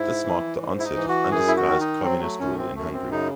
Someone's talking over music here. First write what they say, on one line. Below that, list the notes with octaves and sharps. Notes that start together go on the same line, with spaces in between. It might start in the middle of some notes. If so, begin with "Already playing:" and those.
This marked the onset of undisguised Communist rule in Hungary.
Already playing: G#2 E4
E3
G#2
E4
D#4
E3
F#4
F#2 G#4
E4
F#4
D#3
D#4
F#3 C4
A3
F#2 C#4
A3
C4
F#2 A3
C4
C#3 D#4